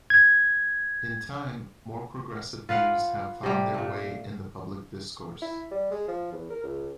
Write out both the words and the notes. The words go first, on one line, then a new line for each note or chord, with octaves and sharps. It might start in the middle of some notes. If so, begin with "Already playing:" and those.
In time, more progressive views have found their way in the public discourse.
G#6
F4 B4 F5 F#5
C3 G3
A#2 A3
E4
G3
G#3
F3
E2
A#4
C#2